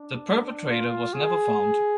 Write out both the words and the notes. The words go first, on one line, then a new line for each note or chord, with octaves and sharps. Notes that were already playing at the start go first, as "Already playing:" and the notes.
The perpetrator was never found.
Already playing: D4
F4
G#4